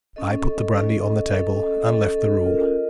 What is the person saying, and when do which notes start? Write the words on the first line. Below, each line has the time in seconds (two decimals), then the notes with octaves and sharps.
I put the brandy on the table and left the room.
0.16 C#4 A4 D#5
0.72 C#4 A4 D#5
1.29 C#4 A4 D#5
1.86 C#4 A4 D#5
2.43 F4 A#4 D#5